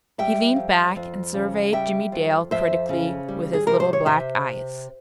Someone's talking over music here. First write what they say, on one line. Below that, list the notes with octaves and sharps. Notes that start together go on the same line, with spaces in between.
He leaned back and surveyed Jimmie Dale critically with his little black eyes.
G3 E5 G5
F2
F2
C#3
G3 E5 G5
F2
F2 C5 E5
C#3
G3
G#4
C3 A#4
C5
C#5
C3 C5 E5